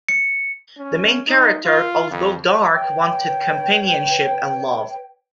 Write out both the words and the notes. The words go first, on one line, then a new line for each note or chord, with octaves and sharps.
The main character, although dark, wanted companionship and love.
C#7
C#4
D#4
F4
F2
B4 C#5 G5